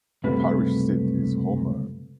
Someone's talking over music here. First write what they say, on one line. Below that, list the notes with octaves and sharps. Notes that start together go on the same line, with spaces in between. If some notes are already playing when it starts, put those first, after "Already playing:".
The parish seat is Homer.
C#2 F#2 C3 G3 A3 B4